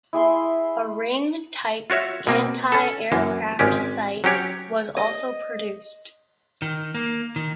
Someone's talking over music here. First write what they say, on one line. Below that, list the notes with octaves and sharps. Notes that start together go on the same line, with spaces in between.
A ring-type anti-aircraft sight was also produced.
E4 G#4 E5 C6
F4 F#4 C#5 E5
B2 A#3 C4
C#4 A4
F#2 E3 A#3
G#1 G#3 C#4 G4
F#3 C#4 G4 C#5
D#5
D#3
A#3
D#3